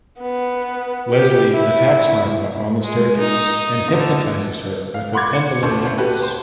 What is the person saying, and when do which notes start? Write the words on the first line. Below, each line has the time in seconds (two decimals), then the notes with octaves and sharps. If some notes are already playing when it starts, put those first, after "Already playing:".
Leslie attacks Martha on the staircase and hypnotizes her with her pendulum necklace.
0.21 B3
1.11 G4
1.53 E4
2.83 G#3
3.19 D#4
3.92 D3
4.94 F5
5.13 F#5 B5 C6 D6 G#6
5.33 C#7
5.62 D2 C#3 E4 A4 C5 C#6
5.98 F#4 G4 A4 B4
6.22 C5